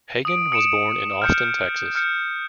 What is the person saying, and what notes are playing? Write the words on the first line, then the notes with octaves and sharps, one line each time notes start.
Hagan was born in Austin, Texas.
D#6 D7
D#6 C#7 D7 E7
F6 G6 C#7
F6 G6 C#7